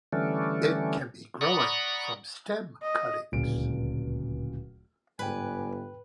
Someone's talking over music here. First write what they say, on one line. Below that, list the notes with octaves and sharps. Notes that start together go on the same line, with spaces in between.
It can be growing from stem cuttings.
D3 E3 G3 A3 C#4 D4
D5 F#5 A#5 B5 C#6 D#6
D#5
D1 C#2 A#2 D7
G1 G#2 B4 D5 G5 G#5